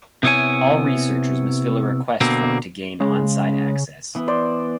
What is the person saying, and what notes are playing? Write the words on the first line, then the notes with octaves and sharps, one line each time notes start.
All researchers must fill a request form to gain on-site access.
C3 B3 E4 C#5 G#5
B2 D3 A#3 C4
C#3 G#3
E3 B3
C5 D5